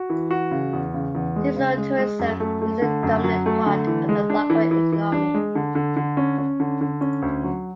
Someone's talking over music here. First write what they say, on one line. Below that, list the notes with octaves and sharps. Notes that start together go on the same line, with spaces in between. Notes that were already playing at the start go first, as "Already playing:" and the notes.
Seasonal tourism is a dominant part of the local economy.
Already playing: F#4
E3
F#4
C#3
E2
C#3
E2
G#3
C#3
G#3
G#3
F#2
A3
A3
D3
F#2
F#3
A3
D3
E3
G#3
D4
E3
E3
E3
D4
G#3
D3
D3
D3
C#4
C#4
D3
D3
C#4
D2
F#3